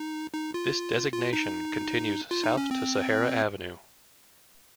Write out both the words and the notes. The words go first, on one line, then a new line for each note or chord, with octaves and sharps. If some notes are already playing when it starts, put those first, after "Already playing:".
This designation continues south to Sahara Avenue.
Already playing: D#4
D#4
F4
F4
D#4
F4
D#4
C#4
C4